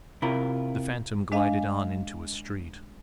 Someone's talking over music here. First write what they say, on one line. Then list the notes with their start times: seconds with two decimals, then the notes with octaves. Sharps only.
The Phantom glided on into a street.
0.22 C3 E4 F4 A#4
1.32 G#3 D4 D#5 F5 G#5